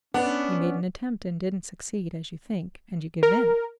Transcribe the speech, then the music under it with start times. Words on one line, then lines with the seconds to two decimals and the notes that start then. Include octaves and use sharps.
You made an attempt and didn't succeed, as you think, and you give in.
0.14 B3 C#4 D4 B4 F#5
3.23 A#4